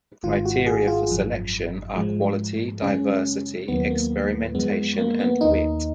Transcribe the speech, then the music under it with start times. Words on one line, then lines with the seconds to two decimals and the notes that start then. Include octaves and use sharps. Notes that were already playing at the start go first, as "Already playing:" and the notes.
The criteria for selection are quality, diversity, experimentation and wit.
0.23 G#1 G#2 D#3 F4
0.45 F#4
0.66 G#4
0.88 F4
1.09 G#1 F#2 F3
1.96 G#2 F3 G#3
2.82 F#2 C#3 G#3 C#4
3.68 D#2 D#3 F#3 A#3 B3
3.91 A#3
4.55 F#2 F3 G#3 B3
4.98 A#3
5.20 B3
5.41 D#2 D#3 A#3 D#4